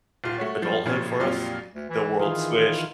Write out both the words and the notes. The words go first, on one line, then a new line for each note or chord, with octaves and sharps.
adulthood for us, eh, the world switched.
D#1 F4
A3 F#4 C#5
G2 F3
A1 A#2 C#3 F3 C#5
F2 A#2 F#3 G3 F4
D2
E3
D#3 E3 F4 G#4